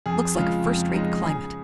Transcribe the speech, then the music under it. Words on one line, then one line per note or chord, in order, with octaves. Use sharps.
Looks like a first-rate climate.
F2 G#4
C#3 G#3 F4
F2
C#3 G#3 D#4
C#3 G#4